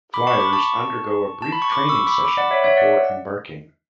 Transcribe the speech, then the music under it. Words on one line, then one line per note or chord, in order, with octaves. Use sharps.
Fliers undergo a brief training session before embarking.
B5 D6
A5 C#6
B5 D6
A5 C#6
A5
B5
C#6
B5 D6
C#6 E6
B5 D6
B5 D6
D5 F#5
C#5 E5
C#5 E5
D5 F#5